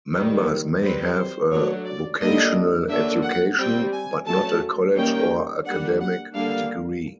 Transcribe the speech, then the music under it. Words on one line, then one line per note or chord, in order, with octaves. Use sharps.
Members may have a vocational education, but not a college or academic degree.
D#3 G3 A#3
G3 C4 B4
C5
F#3 A3 D4 C#5
D5
D3 G3 A#3 D4 D#5
D3 F#3 A#3 D4 E5
F#5
G3 C4 G5
G#5
F#3 A3 C#4 A5
D#3 G3 A#3 C#4 G5
G3 A#3 D4 F#5
F#5
D3 G3 A#3 D4 F5